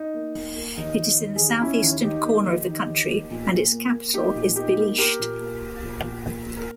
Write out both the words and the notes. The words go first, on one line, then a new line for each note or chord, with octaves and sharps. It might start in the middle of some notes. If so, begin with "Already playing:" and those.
It is in the southeastern corner of the country, and its capital is Bilisht.
Already playing: D#4
A#3
A#3
A#3
D#2 D#4
D#2
D#3
D#2 G#4
G4
D#3 C#4 E4
D#2
D#3 D#4 G4
A#3
D#3
D#3
D#2
A#3
A#2
A#2
A#3
A#3
A#3 D#4 G4
A#2
A#3 D#4 G4
A#3
A#3 G4 A#4
A#2
A#3
A#3
A#2
A#2
A#3
A#2
A#4